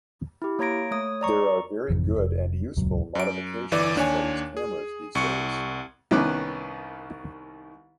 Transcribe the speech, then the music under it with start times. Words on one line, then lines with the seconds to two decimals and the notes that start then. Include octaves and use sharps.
There are very good and useful modifications for these cameras these days.
0.42 E4 G4
0.59 A#3 C#5 A#5 G#6 A#6 D7
0.91 A3 C#5 D#6
1.21 D5 A#5 C#6
1.89 G#1 F2 C3 E3
2.15 F1
2.77 D#1 C#2 F#2 F#3
3.15 F#2 D7
3.72 G1 E3 D5 D6
3.96 D#2 D4 C#5 G#5
4.57 G#4
5.15 C2 C#6 C#7
6.11 C2 D#3 B3 C#4 B4 D6